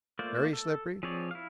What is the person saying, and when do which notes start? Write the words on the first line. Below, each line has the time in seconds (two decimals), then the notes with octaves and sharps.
"Very slippery?"
0.19 A3 A#3 F4 C5 D5
0.53 A4
1.03 F3 C4 G#4 C#5 D5
1.31 E4 F5